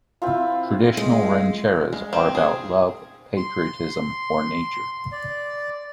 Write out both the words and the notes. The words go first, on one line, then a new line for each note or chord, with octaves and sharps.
Traditional rancheras are about love, patriotism or nature.
C4 E4 F4
G#3
G#3
C4
G#4
C6
D5